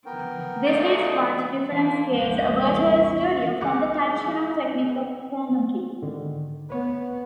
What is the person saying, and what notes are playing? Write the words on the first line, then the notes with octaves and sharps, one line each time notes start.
This is what differentiates a virtual studio from the traditional technique of chromakey.
B3 A#4 G5
F3 A3 D#4 D5
E3 D4 C5 F5 A#5
A#1 E2 A#4 E5 F#5
E4
E5 C#6
C#2 F#5 D6
B3
G#2 D3 D#3
B3 B4 C#5